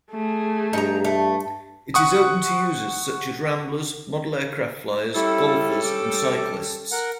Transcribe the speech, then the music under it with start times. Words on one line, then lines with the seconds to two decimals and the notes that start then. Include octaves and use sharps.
It is open to users such as ramblers, model aircraft flyers, golfers and cyclists.
0.11 A3 G#4
0.73 G2 D#4 A#5
1.05 A3
1.94 F#5 C#6 D#6
5.15 G3 C#4 E4 A4
5.85 D6
6.92 A#4 F#5